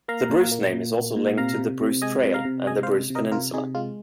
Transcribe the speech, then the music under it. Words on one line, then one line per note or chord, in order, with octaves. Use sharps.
The Bruce name is also linked to the Bruce Trail and the Bruce Peninsula.
A#3 F5 A#5
A#2
A#3
A#2
A#3
A#2
C3 F5 A#5
C3
C3
G#3 D#5 G#5
C3
F5 A#5
C3
G#3 D#5 G#5
C5 F5
C3
C3
A#4 D#5
C3 F4 A#4
C3 D#4 G#4
G#3 F4